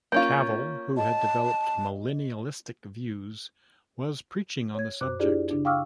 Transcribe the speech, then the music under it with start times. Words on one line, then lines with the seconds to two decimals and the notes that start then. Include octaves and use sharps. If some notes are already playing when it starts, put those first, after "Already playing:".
Kavel who had developed millennialistic views, was preaching on the subject.
0.12 A#3 C#4 F4 C#6 G6
0.97 D#5 A5
4.75 C#5 G#6
5.01 F#2 C5 D6 F#6
5.20 D4 E4 F4 G4 G#4 D5
5.51 C#3 D4
5.65 F5 G5 C#6 D6 E6 F6